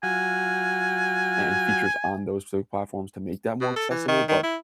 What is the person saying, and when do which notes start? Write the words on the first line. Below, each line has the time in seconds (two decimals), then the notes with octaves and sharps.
a and features on those so platforms to make them more accessible, but
0.03 F#3 F4 F#4 G#5
3.61 B2
3.76 A4
3.90 E3
4.08 D#3
4.28 D#3
4.43 E4